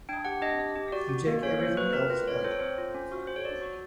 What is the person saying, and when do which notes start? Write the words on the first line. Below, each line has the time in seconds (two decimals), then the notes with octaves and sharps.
You take everything else out.
0.09 D4 G5
0.25 G4 F#5
0.41 D4 D#5
0.59 G4
0.76 G4
0.92 F#4 D5
1.09 F#4
1.27 A#3
1.42 C#4 C#5
1.60 A#3 C5
1.77 F#4 B4
1.93 C4 A#4
2.10 F4 B4
2.28 C4 C#5
2.44 A4 C5
2.51 C#5
2.60 C4 C5
2.78 F4
2.94 C#4
3.12 F#4
3.27 F#4 C5
3.36 C#5
3.45 A4 D5
3.61 F#4